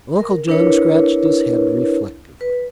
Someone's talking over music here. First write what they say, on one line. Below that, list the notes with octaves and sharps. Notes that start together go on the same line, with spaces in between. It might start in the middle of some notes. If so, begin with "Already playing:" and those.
Uncle John scratched his head reflectively.
A#4
D4 E4 A#4 B4 C#5
B4